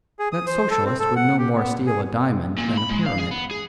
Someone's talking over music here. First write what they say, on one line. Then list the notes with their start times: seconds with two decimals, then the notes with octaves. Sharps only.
That Socialist would no more steal a diamond than a Pyramid.
0.19 G#4
0.32 D#6
0.47 C5
0.70 A4
0.85 C4
0.99 A4
1.16 F#5
1.38 G4
1.55 B3
1.87 G#4
2.58 A#2
2.78 B5
2.89 G#3
3.06 F5
3.19 G#4
3.31 B3
3.51 G#4